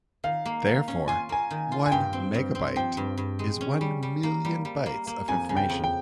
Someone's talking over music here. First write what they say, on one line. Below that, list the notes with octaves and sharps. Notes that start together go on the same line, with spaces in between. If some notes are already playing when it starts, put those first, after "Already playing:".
Therefore, one megabyte is one million bytes of information.
D#3 F5
A#3
D#3
C#4
F4 G#5
A#3 G#5
D#3
F4
G#5
G2 G5
C4
G2
C4
F3 G5
G2
G2
G#3
C#4
G3
G3
A#3
G3
G3
A#3
A#3
F2 G#5
C#3 G#5
G5
F2
G5